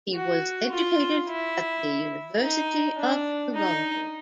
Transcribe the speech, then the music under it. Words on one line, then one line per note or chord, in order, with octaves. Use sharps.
He was educated at the University of Toronto.
F#4
F4
E4
D#4
D4
D#4